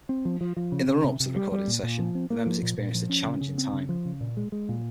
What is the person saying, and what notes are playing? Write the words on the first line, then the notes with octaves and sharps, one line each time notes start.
In the run-up to the recording session, the members experienced a challenging time.
C4
F3
F3
F3
C#3
C#3
C3
C3
G3
G3
A#2
A#2
F3
C4
A#3
F3
A#2
A#2
F3
C#4
C#3
C#3
C4
C#3
F3
C#3
A#2
G#3
G#3
A#2